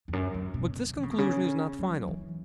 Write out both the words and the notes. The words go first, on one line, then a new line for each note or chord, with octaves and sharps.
But this conclusion is not final.
E2
F#2
F#2
B2
C#3
E3
C#3
B2
C#3
F#3
E3